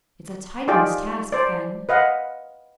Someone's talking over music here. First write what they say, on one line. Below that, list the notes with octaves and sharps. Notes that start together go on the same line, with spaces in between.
"It's a Titan's task, Ken."
D#4 F4 G4 G#4 D5 G5
C5 D5
B4 D#5 F5 F#5